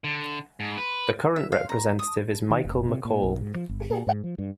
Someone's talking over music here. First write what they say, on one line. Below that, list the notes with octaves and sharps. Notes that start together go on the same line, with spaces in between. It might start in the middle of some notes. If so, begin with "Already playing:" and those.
The current representative is Michael McCaul.
D3
G#2
B4
E5
F5
A#5
D#6
D#3
F1
C3
A#2
B1
G#2
F3
G1
A#2
G#2
F3
G2